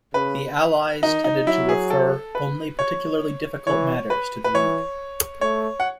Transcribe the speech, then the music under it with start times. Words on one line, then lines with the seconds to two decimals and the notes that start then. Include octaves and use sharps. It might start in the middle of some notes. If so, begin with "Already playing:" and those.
The Allies tended to refer only particularly difficult matters to the League.
0.14 C#3 B4
1.03 D#3 D#4
1.24 D#4
1.47 F#3 E4
1.69 G#4
1.90 A4
2.35 B4
2.79 C#5
3.67 E3 C#5
4.10 B4
4.44 B4
4.54 E3 C#5
5.41 A3 C#5
5.80 F#5